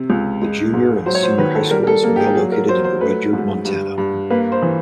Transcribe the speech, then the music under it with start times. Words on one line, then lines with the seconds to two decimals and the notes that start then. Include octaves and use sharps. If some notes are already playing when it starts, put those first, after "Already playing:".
The Junior and Senior high schools are now located in Rudyard, Montana.
Already playing: C3
0.10 C#2
0.42 G#3
0.74 G#2
1.06 F#3 C5
1.15 C#5
1.23 C5
1.38 D#3 B4
1.55 A4
1.71 G3 A#4
1.83 A#4
1.87 A4
2.03 A#3 A#4
2.16 G4
2.20 G#4
2.35 F#3 G#4
2.52 A#4
2.68 F#3 C5
2.84 C5
3.01 A3 B4
3.33 G#2
3.65 G2
3.98 G2
4.30 A#3 B4
4.52 C5
4.62 E3